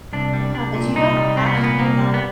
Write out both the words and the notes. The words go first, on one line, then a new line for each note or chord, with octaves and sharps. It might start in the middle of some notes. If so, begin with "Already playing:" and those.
Yeah, but you don't have to do that.
C2 D4
G3
C2 D4
A#2
C2 D#4
G3
C2 C4
B3
A#2 A#3
B3
C2 A#3
G3
B3